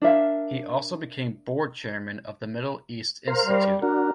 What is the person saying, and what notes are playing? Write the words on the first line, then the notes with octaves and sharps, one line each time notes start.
He also became board chairman of the Middle East Institute.
D4 A#4 E5 F5
A#4 C5 F5
G3
D4 F#4 A#4